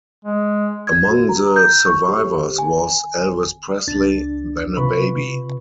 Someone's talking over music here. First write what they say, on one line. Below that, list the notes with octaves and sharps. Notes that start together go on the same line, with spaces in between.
Among the survivors was Elvis Presley, then a baby.
G#3
G#6
F#4
A#5
G6
C#6
G4
G#5
C#2 D4 A6
C3 F4 B4 B5 C#6